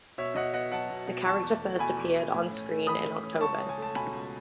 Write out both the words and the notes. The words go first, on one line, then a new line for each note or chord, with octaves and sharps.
The character first appeared on screen in October.
B2 C#5 E5
B2 D#5 F#5
B3 D#5 F#5
F#3 F#5 A5
B2
B2
E2 A5 C#6
E2
A3
B2 G#5 B5
E2
E2
A2
C#4
A3
E3 B5 D#6
A2
C#4
C#2 A5 C#6
C#4
G#5
A3 A5
B2 G#5 B5
C#2